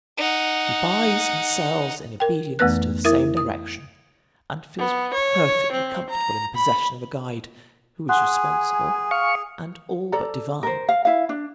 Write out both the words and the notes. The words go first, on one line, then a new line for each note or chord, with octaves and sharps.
He buys and sells in obedience to the same direction, and feels perfectly comfortable in the possession of a guide who is responsible and all but divine.
D#4 F#5
A#4 G5
F2 E3 A3 B3 B4 F#6
E4 A#4 E5 D#6 A6
D#6
B3
C#5
C4
A#5
B5
G#4 F#5 G#5 C6 F#6
F5 C#6
A4 D5 A#5
A#4 C5
F5
E4 F5
D4